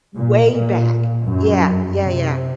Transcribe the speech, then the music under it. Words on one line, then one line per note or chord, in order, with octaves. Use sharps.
Way back. Yeah. Yeah, yeah.
A#2
A#2
F#2
C3